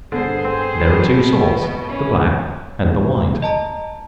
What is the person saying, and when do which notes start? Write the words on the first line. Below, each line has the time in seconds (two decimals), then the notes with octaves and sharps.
There are two sorts, the black and the white.
0.12 G2 D3 B3 G#4 C5
0.44 C4
0.78 B2
1.88 E3 C#4
3.42 D#5 A5 A#5